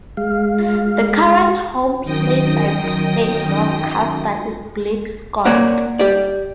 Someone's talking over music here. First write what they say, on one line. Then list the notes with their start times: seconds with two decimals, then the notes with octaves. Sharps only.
The current home play-by-play broadcaster is Blake Scott.
0.17 G#3 F5
2.03 F#2 D#3 G5 D#6 A#6
5.45 A#3 C#5 D5 F#5
5.99 G4 D5